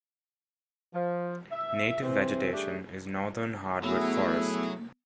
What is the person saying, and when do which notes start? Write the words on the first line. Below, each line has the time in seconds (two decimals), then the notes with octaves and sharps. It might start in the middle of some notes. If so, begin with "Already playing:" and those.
Native vegetation is northern hardwood forest.
0.94 F3
1.52 E5
2.02 C3 E3 C4
2.53 G3 A3 D4 G4 G#4
3.83 F#3 A3 B3 E4 G#4 E6